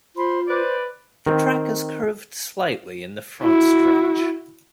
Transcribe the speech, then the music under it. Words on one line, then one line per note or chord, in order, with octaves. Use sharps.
The track is curved slightly in the front stretch.
F4 C5 B5 C6
B4 C5 D5
D#3 C4
E4 F#4